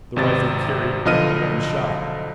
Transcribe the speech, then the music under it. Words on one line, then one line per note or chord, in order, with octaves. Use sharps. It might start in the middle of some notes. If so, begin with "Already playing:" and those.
The rifle carried but the one shot.
G#1 C3 A6
B1 D3 F3 D#5 F6 D#7